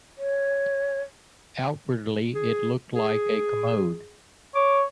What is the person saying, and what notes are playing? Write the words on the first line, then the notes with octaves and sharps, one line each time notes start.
Outwardly it looked like a commode.
C#5
G#4
G#4
C#5 D6